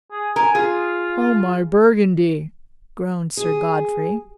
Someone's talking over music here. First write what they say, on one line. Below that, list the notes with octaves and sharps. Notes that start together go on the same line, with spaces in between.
"Oh, my Burgundy!" groaned Sir Godfrey.
G#4
A#4 G#5
F4 G#4
G#4